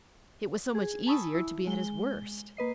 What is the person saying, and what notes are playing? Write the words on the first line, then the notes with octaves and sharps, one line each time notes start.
It was so much easier to be at his worst.
G#4
G#5 A5 B5 C#6 D#6 E6
E4
G#3 G7
A#3 B4 D#5 C7